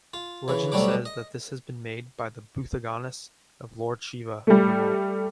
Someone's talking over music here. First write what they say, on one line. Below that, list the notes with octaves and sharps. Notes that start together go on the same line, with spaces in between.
Legend says that this has been made by the "Bhuthaganas" of Lord Shiva overnight.
F4
C#3 E3
D2 C3 F#3 G3 D4 D6
D#5
G3 A3